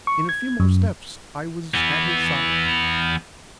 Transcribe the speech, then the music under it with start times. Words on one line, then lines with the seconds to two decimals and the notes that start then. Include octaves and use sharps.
In a few more steps I was at his side.
0.07 C#6
0.29 G#6
0.60 F#2
1.74 E3 B3